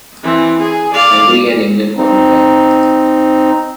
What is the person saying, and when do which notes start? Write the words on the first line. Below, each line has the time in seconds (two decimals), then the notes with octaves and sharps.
Hungary and England qualified.
0.23 E3 C4
0.59 G#4
0.93 D5 F5
1.96 C4 D#4